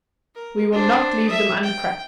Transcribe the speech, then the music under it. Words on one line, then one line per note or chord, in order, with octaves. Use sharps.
We will not leave them uncracked.
A#4
D4 C5
E5 D#6
G5